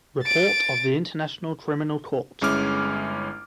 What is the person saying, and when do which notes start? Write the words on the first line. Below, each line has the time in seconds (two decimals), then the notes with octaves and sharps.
Report of the International Criminal Court.
0.23 A6 D7
2.41 G1 G#3 C#4 E4 D6 F6